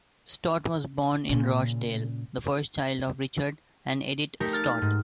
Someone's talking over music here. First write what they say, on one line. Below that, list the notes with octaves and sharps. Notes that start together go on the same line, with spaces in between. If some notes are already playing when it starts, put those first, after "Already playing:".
Stott was born in Rochdale, the first child of Richard and Edith Stott.
A#2 C#3
A3 D#4 G4 A#4
F6 A6
G#2